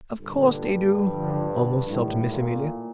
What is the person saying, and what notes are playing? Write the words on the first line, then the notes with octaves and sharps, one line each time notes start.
"Of course they do!" almost sobbed Miss Amelia.
G2 A#2 D3
D3 F3
A2 D#3 G3
A#2